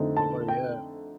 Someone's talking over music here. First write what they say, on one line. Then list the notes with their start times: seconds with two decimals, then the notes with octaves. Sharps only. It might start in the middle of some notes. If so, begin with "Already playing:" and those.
Oh, yeah.
Already playing: F2 D3 A3 C4 D#4
0.17 A5
0.48 G5